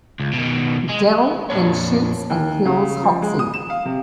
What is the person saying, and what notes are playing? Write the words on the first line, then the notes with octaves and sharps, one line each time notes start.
Dell then shoots and kills Hoxey.
C#2
B2 D#3
G#3
F2 A#2 D4 C#5
D#2
C#3
F3
G#3
D#6
E7
F5
C3